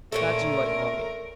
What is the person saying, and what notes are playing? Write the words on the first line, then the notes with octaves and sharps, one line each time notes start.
Glad you like the mummy.
A#2 A3 C#4 A4 A#4